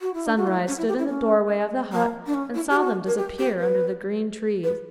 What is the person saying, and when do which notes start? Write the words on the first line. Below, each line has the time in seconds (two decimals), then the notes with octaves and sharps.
Sunrise stood in the doorway of the hut, and saw them disappear under the green trees.
0.01 F#4
0.14 E4
0.26 D4
0.37 F#4
0.47 E4
0.67 C#4
0.78 E4
0.88 G4
0.98 E4
1.08 C#4
1.92 A#3
2.26 D4
2.34 C#4
2.54 E4
2.70 G4
2.76 F#4
3.07 A#4
3.17 G4
3.38 G4
3.59 B4
4.63 B4